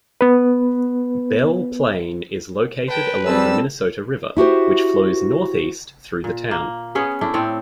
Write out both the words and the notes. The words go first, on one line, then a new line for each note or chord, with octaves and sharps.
Belle Plaine is located along the Minnesota River, which flows northeast through the town.
B3 B4
B4 G5 A5
G3 C4 G#4 A5 E6
E4 F#4 G4 C5
A#2
A#3
B3 C#4 G#4 B4
A3 D4 E4
A2 C4 C#5 D5